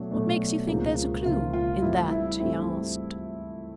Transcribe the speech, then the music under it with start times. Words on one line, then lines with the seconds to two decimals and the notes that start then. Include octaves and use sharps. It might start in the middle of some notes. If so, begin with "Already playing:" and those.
"What makes you think there's a clue--in that?" he asked.
Already playing: B2 F#3 A3 D4
0.11 B2 F#3 A3 D4
0.68 C#2 C#3 F3 A#3
1.25 C#2 C#3 F3 A#3 F4
1.54 F4
1.82 G2 E3 A3 C4 E4
2.11 E4
2.39 G2 E3 A3 C4 E4